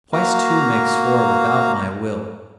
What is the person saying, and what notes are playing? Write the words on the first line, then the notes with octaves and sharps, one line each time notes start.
Twice two makes four without my will.
A#3 F#4 F5 A#5